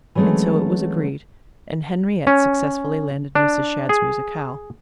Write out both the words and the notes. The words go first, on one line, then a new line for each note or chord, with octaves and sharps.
And so it was agreed, and Henriette successfully landed Mrs. Shadd's musicale.
E3 F#3 G#3 A3 C4 C#4
C#4
D4
G#4